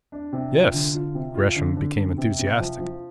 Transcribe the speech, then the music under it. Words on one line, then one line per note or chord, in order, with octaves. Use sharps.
"Yes!" Gresham became enthusiastic.
D4
C3
F4
D3
F4
C3
F4
D3
D3
D3
C3
C3
F3
F3